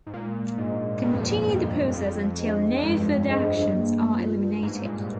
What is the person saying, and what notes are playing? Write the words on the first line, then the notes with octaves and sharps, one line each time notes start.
Continue the process until no further actions are eliminated.
G#2
A#2 G#3
G#2 D4 G#4 C5 D#5
G2 G#3
F2
G2
F2 D4 G#4 C5 D#5
F2 G#3
D4 G#4 C5 D#5
F2
G2 G#3
G2 D4 G#4 C5 D#5
F2
G2
A#3
F4 A#4
G#2 A#3
A#2